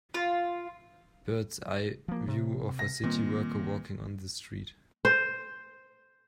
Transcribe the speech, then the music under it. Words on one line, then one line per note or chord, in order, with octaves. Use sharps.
Bird 's eye view of a city worker walking on the street.
F4
F3 A#3
C3
A#6
A#2 D#3 G3 C4
C5